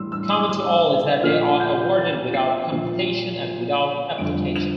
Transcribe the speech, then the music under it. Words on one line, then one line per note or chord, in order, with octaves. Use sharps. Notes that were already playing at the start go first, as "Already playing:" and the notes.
Common to all is that they are awarded without competition and without application.
Already playing: A2 E3 G3 C6 E6
E6
D6
E6
A#2 F3 F6
G6
A6
C7
A#2 F3
F2 D3 G3 D7
F7